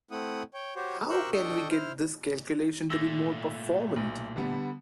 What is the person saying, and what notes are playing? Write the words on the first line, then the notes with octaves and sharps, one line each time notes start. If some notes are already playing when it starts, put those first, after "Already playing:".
How can we get this calculation to be more performant?
A3 C4 E4 F#5 D#6
C#5 G5
F#4 G4 C5 C#5
G4 A#4 C5 C#6 E6 F#6
D4 A4 D#5 G5 C#6
E4 C5 F6
A#2 A3 E6 A#6
B1
D3 G3 B3